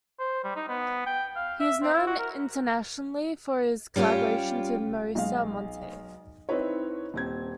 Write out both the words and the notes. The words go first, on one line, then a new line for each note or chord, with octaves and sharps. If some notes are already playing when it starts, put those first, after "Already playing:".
He is known internationally for his collaborations with Marisa Monte.
C5
G3
D#4
B3
G5
F5
E5
C4
E4
F#4
A#4
G3 C#4 F4 G4
B1 G#3 F5
C4 D#4 E4 B4 C#5
D#1 C4 G#6